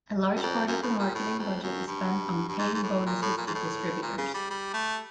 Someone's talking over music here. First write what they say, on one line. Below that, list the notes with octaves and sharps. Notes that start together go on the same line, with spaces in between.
A large part of the marketing budget is spent on paying bonuses to distributors.
F#2
F2
F#2
A2
A#2
A2
F2
F#2
G2
G2
G#2
G#2
A2
A#2
A2
A#2
G#2
A2
A#2
C#3
G3
G3
A3